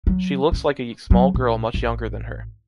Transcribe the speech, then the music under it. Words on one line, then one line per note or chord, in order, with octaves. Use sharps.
She looks like a small girl much younger than her.
F#3
C#4
F#3
A#1
A1